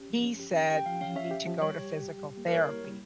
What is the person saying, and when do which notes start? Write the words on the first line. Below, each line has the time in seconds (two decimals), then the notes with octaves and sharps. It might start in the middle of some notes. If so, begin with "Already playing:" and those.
he said, "You need to go to physical therapy."
Already playing: C#4 G4
0.10 F3
0.25 C#4
0.39 G4
0.55 C#4
0.70 G4 G5
0.86 F3 F5
1.01 C#4 F5
1.16 C#4 E5
1.31 G4
1.46 F3
1.62 G3 C#5
1.77 G4
1.93 G4
2.08 G4
2.22 G3
2.37 A#3
2.48 A#4
2.53 E4 C#5
2.68 A#3
2.84 G3